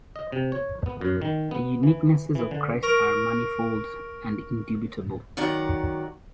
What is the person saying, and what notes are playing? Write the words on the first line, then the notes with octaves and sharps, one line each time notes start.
The uniquenesses of Christ are manifold and indubitable.
D#5
C3
C#5
B3
F#2
D#3
B3
E3
E3
D3
A#4 C#6 F6 D7
D#3 F#3 D5 F#5 A#5